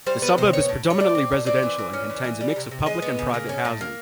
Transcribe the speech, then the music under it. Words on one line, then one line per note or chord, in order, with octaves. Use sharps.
The suburb is predominantly residential and contains a mix of public and private housing.
G3 C5
B3 B4
C3 C5
B3 C#5
A2
A2
C#5
A3 D5
C4
A2
C4 D5
E3
E3
C#4
E3
E3
G3
C3
C3
G#3 D#5
B3
C#3
A#3
C#4
A2
A#3